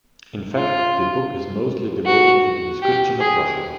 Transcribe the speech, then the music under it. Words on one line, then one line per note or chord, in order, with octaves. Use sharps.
In fact, the book is mostly devoted to the description of Russia.
F4
F#4
G4
G#4